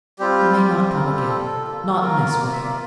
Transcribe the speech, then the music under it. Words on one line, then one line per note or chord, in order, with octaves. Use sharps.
You may not come again,--not in this way.
G3 C4 F4 G4
G4
A#4
A4
G4
A4
A#3 F4 A4
A#4
D5
E5
D5